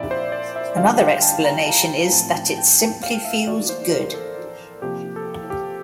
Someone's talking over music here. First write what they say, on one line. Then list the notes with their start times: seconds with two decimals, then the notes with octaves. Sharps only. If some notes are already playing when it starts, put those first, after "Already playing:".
Another explanation is that it "simply feels good".
Already playing: A#2 F3 C4 E4 D5 E5
0.11 C5
0.32 D5
0.56 E5
0.77 D3 G3 D4 F4 F5
1.00 G5
1.22 A5
1.44 A#5
1.68 A5
2.12 A2 F3 C4 A5
2.35 G5
2.58 G5
2.79 A5
3.03 F5
3.25 E5
3.47 E3 A#3 E4 D5
3.69 C5
3.92 A#4
4.14 A4
4.82 C3 F3 A#3 G4
5.16 A4
5.50 G4